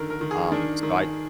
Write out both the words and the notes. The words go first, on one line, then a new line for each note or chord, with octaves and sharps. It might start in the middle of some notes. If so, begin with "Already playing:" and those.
um, so I
Already playing: D3 D#3 A#4
A#4
D#3
G#4
D#3 D4
D#3